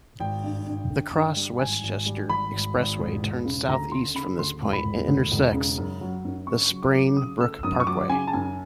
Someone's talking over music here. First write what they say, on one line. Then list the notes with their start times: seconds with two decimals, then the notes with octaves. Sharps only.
The Cross-Westchester Expressway turns southeast from this point and intersects the Sprain Brook Parkway.
0.20 G#1 G5
0.44 G2
0.67 G2
0.90 D3
1.13 G2
1.36 G3
1.59 G#1 G#5
1.83 G#1
2.06 G3
2.29 G#1 B5
2.53 G#1
2.76 G#1
2.99 E1
3.23 E1
3.45 C#3
3.68 D2 A#5
3.92 C#3 C6
4.15 C#3 B5
4.39 D2 C6
4.62 E1
4.73 B5
4.84 E1
5.08 D2
5.32 E1
5.54 C#3
5.78 F#2
6.01 F#3
6.25 F#2
6.47 C#3 C#6
6.70 F#3
6.83 D6
6.94 F#3
7.17 C#3 D#6
7.40 A3 E6
7.63 F#2 D#6
7.80 C#6
7.87 F#3 D6
8.09 C#3 G#5
8.27 A5
8.33 F#2 G#5